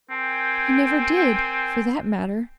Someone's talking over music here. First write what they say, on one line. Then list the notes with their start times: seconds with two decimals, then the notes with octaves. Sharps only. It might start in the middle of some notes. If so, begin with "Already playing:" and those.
He never did, for that matter.
0.10 C4 A#4 G5 G#5